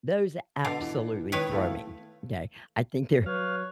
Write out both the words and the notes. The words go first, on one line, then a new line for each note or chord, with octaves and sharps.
Those absolutely throw me. 'Kay? I think they're
B2 D3 F5 A5
E3
D#3 B4 C#5
A3 E4 F5
F#3 B4 C#5 F5